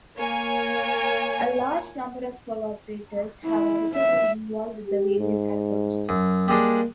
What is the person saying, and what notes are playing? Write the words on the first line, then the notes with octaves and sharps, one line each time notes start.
A large number of collaborators have also been involved with the various albums.
A#3 C#5 G#5
E4
E5
G4
G#2
F#2
G3 G#3 A#3 D4